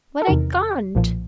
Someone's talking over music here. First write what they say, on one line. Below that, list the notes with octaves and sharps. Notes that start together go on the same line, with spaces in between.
But I can't.
A4
E2 C3 D#3 A#4
B1 A#2 F3